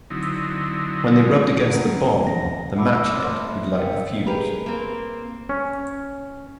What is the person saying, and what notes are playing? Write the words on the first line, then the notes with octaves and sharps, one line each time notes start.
When they rubbed against the bomb, the match head would light the fuse.
D3 F#3 C4 D#4 E4
A#3 C#4 B4 F#5 A#5
A#6
E5 F#5 A5 B5 D6 E6
A3 C4 C6 F6
E5
A#4 C5 D#5 F5 G5
G4 G#4 A#4 B4
A#3 C4
C#4